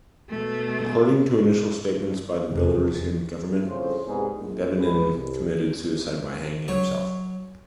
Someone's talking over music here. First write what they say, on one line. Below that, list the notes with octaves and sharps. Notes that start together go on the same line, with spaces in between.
According to initial statements by the Belarusian government, Bebenin committed suicide by hanging himself.
B2 A3
F1 E2
F2 A2 C#3 C5
C2 G#2 G3 B3 G#4
A#1
G#1 G#3 B4
C2
F#3 C#5